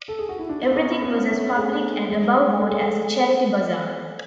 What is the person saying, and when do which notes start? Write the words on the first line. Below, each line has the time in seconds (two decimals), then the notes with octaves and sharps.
Everything was as public and above-board as a charity bazaar.
0.08 A4
0.19 G#4
0.29 F#4
0.39 E4
0.49 D4
0.70 B3
0.76 C#4
1.02 B3
1.29 A3
1.56 G#4
2.09 G#4
2.59 A4
2.70 G#4
2.79 A4